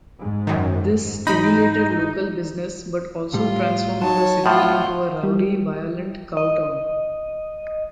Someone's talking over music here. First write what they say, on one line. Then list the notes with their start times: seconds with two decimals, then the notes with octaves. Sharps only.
This stimulated local business but also transformed the city into a rowdy, violent cowtown.
0.19 G#2
0.47 F#2 D#3
1.27 G#2 E3 D#4 B5
3.34 A2 G3 F4
4.02 F#3 D#4 C#5 A5
4.46 A2 F3 F4 F#5
5.23 G3
6.37 D#5